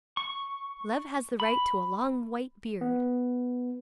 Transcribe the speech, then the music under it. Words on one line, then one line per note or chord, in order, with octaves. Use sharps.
Love has the right to a long white beard.
C#6
B5
B3